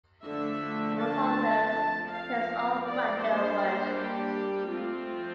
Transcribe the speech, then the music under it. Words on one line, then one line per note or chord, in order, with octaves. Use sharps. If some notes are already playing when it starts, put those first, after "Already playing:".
Amongst others, he directs all Wagner’s works.
D3 F3 A3 D4 E5
A5
F3 C4
F5
D5
G3 A#3 D4 C5
G4
F3 A3 C4 F4